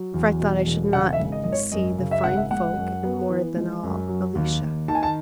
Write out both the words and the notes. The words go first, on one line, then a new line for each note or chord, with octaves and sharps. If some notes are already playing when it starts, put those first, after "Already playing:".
For I thought I should not see the fine folk and, more than all, Alicia.
Already playing: F#3
E2
B2
E1
C#3 F#5
E5
G#1
D#5
G#1 D#5
C#5
F#2 D#5
C#3
E5
G#1 F#5
E5
G#3 F#5
F#2
B3
E3
G#3
F#2
F#3
D#2
D#2
D#3 A5
G#5
A5